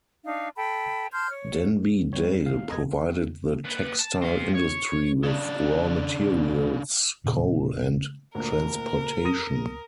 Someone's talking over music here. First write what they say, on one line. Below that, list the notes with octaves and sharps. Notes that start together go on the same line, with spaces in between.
Denby Dale provided the textile industry with raw materials, coal, and transportation.
D4 D#4 F5
A4 G5 A5 B5
A5 C6 F6 G6
C#5
G2 G3 C#5
G#1 D#2 C3 F5
F1 F2 B3 D#5 G#6
A#3 B4
A5
C4 F5
C#5
C#3 D4
E1 E2 A#2 C#3
D2 A#2 A#4
D#6 A#6 D#7